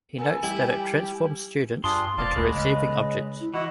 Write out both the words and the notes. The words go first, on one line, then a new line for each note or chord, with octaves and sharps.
He notes that it transforms students into receiving objects.
A#3 A4 G#5
G3 E4 G4
G2 D4 F4 G#4 C6
F1 D5 F5 A5
D2 G#3 B4
C#3 D#5
E4
E3 E4 F#4 D#5 F#5